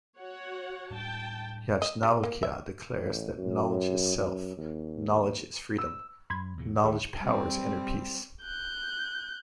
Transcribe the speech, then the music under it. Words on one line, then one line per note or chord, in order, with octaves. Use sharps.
Yajnavalkya declares that Knowledge is Self, Knowledge is freedom, Knowledge powers inner peace.
F#4 C#5 F#5
A2 G3 D4 G5 A5
D#5
G3
A#3
E5
A1
F#2
F#2
D#2
E6
F#2 B5 C6 G#6
E2 A#2 C#3
D2 D#3 G#4 E5
G3 C4
F#6 G6